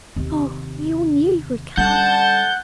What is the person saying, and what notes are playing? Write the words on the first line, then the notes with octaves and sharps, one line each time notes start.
'Oh! we all knew you would come.
D#2 C3
D3 G3 C#4 F#5 A5 G6